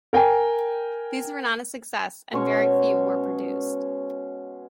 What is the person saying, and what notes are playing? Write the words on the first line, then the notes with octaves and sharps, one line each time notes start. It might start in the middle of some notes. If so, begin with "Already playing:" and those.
These were not a success and very few were produced.
A#4 G5 G#5
B2 G#3 C#4 C#5